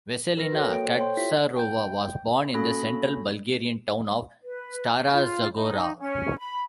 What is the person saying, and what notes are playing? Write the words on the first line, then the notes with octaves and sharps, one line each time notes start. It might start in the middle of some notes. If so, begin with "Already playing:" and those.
Vesselina Katsarova was born in the central Bulgarian town of Stara Zagora.
A#4 B4 A#6
F#4 A4 C#5
A#3 C#5 G5 D7
C5
A4 C#5 G5 C6
E4 F4 G4 E5 B6
G5 G6
A#3 C#4 F#4 A4 B5 A#6
B4
F4
D#4
C#4
B5